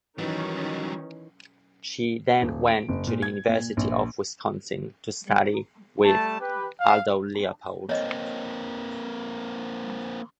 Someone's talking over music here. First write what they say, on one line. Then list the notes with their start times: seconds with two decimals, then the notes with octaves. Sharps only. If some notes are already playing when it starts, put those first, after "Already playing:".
She then went to the University of Wisconsin to study with Aldo Leopold.
0.18 D#3 E3 F#3 G3 C#4 D#4
2.42 D#1
2.68 D7
2.89 F#1
3.07 A#2
3.22 G#6
3.48 A#2
3.77 A#1
6.05 G3 A3 A5
6.39 G4 B4
6.80 F5
7.89 A#3 C4 C#5 D#5